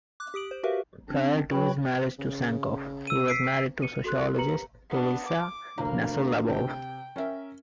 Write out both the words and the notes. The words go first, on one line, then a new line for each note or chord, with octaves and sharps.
Prior to his marriage to Sankoff, he was married to sociologist Teresa Gnasso Labov.
D6 F#6
G4 D#6 D7 F#7
C5
F#4 G4 A#4 B4 E5 F5
C4 D4
F#3 F#4 B4 C#5 G5 B5
C#3
E6 D#7
B6 C7 D7
C#7 D#7
F#4 A4 C6 F#6
G4 A#4 B4 A#5 C#7 F#7
B3 D4
D6
F1 D2 A#3 A#5
C3 G5
C#4 A#4 E5